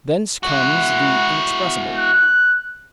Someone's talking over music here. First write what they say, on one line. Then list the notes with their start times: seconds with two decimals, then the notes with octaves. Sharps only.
Thence comes the inexpressible.
0.43 E4 F#4 F#5
1.96 F#6